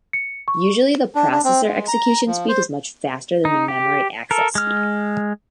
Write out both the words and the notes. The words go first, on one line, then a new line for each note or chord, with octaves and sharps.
Usually the processor execution speed is much faster than the memory access speed.
C#7
C#6
D4
D4
C4
G#3
A#5
F3
C5
D#4
G4
A4 A#4
G#3 F6